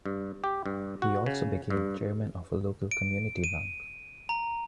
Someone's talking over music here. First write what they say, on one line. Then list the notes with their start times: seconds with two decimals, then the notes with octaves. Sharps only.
He also became chairman of a local community bank.
0.06 G2
0.44 G4
0.66 G2
1.02 F#4
1.26 C#3
1.70 G2
2.91 D7
3.44 D#7
4.29 A#5